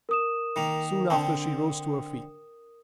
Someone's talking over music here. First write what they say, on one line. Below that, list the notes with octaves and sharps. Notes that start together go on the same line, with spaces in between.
Soon after she rose to her feet.
A#4 D#6 E7
D#3 A#3
D3 C4 D4 G5 A5